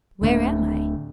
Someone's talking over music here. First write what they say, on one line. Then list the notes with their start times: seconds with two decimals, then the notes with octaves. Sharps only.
"Where am I?"
0.21 D1 D3 A3